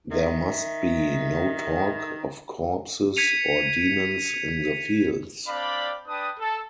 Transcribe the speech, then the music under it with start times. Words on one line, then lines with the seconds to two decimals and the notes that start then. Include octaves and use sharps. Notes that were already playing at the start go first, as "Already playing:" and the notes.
There must be no talk of corpses or demons in the fields.
0.11 D#3 E5
3.16 G#6 B6 C#7 D#7 F7
5.48 C4 D4 D5 F5 G5 B5
6.07 D4 B4 G5 A5 D#6
6.38 A4